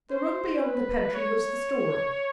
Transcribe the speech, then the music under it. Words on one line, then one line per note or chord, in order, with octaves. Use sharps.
The room beyond the pantry was the storeroom.
C5
B4
C#5